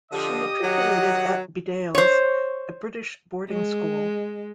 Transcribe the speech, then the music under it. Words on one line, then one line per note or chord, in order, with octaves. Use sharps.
She matriculated at Bedales, a British boarding school.
D3 F3 G4 D#5 D#6
D#3 F#3 F#5
C5 C#5
G#3